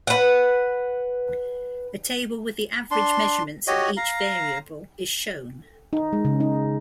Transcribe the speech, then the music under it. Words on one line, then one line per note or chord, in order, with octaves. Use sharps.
A table with the average measurements of each variable is shown.
B4 F#5
D4 C6
F#4 G4 C#5 D#5
F5 A#5
D#4
G#3
C#3
D#4